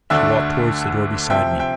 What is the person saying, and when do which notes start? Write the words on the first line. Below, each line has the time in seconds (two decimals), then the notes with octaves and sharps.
She walked towards the door beside me.
0.10 D2 D3 A3 D4 E5
1.30 C3 F3 C4 E5 G5
1.59 E5 G5